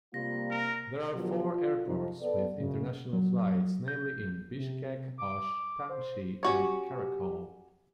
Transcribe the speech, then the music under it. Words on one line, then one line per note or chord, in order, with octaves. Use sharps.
There are four airports with international flights, namely in Bishkek, Osh, Tamchy and Karakol.
C3 G3 A#3 F4 A#6
A#4
B2 D3 F3 F#3 F4 G4
F4
C3 F3 D#4
B3 A4 D5
F#2 C#3
F#3
G6
C3
D6
C5
C#4 F#4 G4 C#5